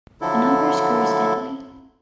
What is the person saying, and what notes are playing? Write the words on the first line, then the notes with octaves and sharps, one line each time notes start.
The numbers grew steadily.
D3 F3 F#3 E4 A4